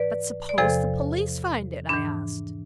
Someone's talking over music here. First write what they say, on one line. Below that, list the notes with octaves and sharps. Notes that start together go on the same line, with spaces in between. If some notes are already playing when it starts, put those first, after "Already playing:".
"But suppose the police find it?" I asked.
Already playing: G#2 E3 B4 D5
D5
E2 C3 F3 A4 C5
G#2 E3 D4